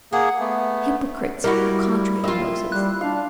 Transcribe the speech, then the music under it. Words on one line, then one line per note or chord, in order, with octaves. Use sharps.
Hypocrites are contrary to Moses.
A#3 G#4 F#5
A3 B3
G3 A#3 E4 F#4 A#4 A#5
A#3 F4 E5 G5 C6
G3 F#6
D4 F5